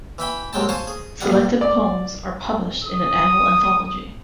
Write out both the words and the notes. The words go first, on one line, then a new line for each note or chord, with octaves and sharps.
Selected poems are published in an annual anthology.
E3 E5 G5 B5
C2 C3 F#3 G#3 G5 A5
C5 F5 G#5 A5 C#6
G#4
A#1 G2 G3 F#5
D5
D#6